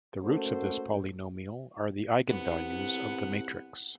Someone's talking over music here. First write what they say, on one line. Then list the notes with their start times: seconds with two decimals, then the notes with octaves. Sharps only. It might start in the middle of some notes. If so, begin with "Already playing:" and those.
The roots of this polynomial are the eigenvalues of the matrix.
0.23 A3 A#3 C#4 F#4 A4 C5
2.29 C2 B3 F#5